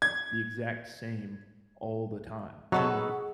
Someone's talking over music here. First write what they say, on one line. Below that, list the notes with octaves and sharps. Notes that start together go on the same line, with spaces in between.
the exact same all the time. And
G#6
F#3 D#4 G#4 A4 B4 F#5 C#6